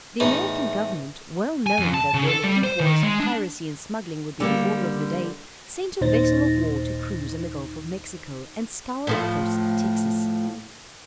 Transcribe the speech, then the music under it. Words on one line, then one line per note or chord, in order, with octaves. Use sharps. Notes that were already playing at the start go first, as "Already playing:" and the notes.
The American government well knowing that where Lafitte was, piracy and smuggling would be the order of the day, sent a vessel of war to cruise in the Gulf of Mexico, and scour the coasts of Texas.
E2 A2 D#4
G#5
F2
A5
C#3
A4
G3
C5
D#3
G#3
D4
D3 G3 A#3
D#2 A#2 D#4 C5 A6 A#6
A2 F3 A3